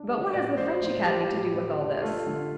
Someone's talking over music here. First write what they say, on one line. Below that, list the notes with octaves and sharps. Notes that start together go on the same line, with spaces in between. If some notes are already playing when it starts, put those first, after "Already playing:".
"But what has the French Academy to do with all this?"
Already playing: D4
G3 D#5
A2 D5
A1 C5
A1
G3 G4
A2
A1
D4
A3 F4
D3